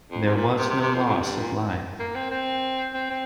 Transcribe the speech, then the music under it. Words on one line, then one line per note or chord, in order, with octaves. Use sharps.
There was no loss of life.
F2
C3
A#2
C3
C3
C3
F2
F2
G2
A#2
A#3
C4
C4
C4
C4